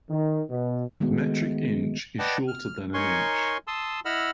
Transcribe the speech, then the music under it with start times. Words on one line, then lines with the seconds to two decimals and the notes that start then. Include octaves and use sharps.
A metric inch is shorter than an inch.
0.10 D#3
0.50 B2
1.00 D#3 G#3 A3 B3 F#4
2.19 B4 D5 D#5 F#5 G5 A5
2.48 F6
2.94 D#4 A#4 C#5 G#5 C6 C#6
3.67 A5 C6 D#6 E6
4.05 E4 D#5 F#5 B5 E6 F6